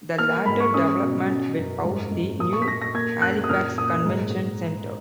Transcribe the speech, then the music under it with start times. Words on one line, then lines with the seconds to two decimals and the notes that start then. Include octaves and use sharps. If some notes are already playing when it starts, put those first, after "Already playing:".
The latter development will house the new Halifax Convention Centre.
0.18 A#3 F6
0.46 G#2 B5
0.60 C#6
0.74 C#4 D#6
1.01 B2
1.30 C#4
1.57 F#2
1.85 G#2
2.11 G#2
2.39 A#2 D#6
2.53 C#6
2.62 B6
2.67 A#2 A#6
2.82 A#6
2.94 A#3 G#6
3.22 F#2 F#6
3.44 D#6
3.49 A#2 F6
3.77 A#2 D#6
4.06 G#2